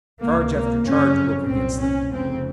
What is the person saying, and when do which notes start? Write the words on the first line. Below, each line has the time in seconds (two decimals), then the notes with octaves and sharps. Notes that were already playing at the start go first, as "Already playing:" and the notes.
Charge after charge broke against them.
0.20 C#2 C3 A#3
0.52 A#3
0.84 F#1 F2 C#3 C#4
1.47 C2 A#2 C4
1.79 C#4
2.11 F1 F2 C#3 C4